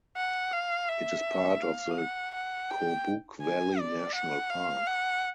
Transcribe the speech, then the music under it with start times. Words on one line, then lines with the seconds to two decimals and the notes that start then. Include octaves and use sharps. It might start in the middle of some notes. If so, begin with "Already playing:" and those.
It is part of the Kobuk Valley National Park.
0.17 F#5
0.53 F5
0.89 E5
1.62 F5
1.98 F#5
2.35 F#5
2.70 G5
3.42 G#5
3.79 D5
4.15 F#5
4.50 F5
4.87 F#5